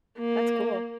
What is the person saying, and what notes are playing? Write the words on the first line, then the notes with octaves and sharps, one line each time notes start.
That's cool.
A#3